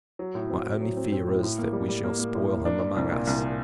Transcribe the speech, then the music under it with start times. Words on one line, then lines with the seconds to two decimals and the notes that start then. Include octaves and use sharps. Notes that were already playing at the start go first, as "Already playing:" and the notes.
My only fear is, that we shall spoil him among us.
0.19 F#3
0.35 A2
0.50 C4
0.66 A2
0.81 F#3
0.97 C4
1.12 C4
1.28 A2
1.43 A2
1.58 A#3
1.73 G3
1.88 G3
2.04 A#3
2.19 A#3
2.35 A2
2.50 A#3
2.65 D4
2.80 D4
2.96 C2
3.11 A#2
3.27 C2